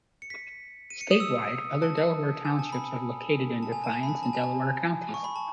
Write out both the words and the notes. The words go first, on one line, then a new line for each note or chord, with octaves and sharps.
Statewide, other Delaware Townships are located in Defiance and Delaware counties.
C#7
B6
D#7
C#7
D#6
E6
A5
A5
G#5
A5
B5
A5
G#5
A5
G#5
B5
A5
A5
G#5
A5
C#6
B5
A5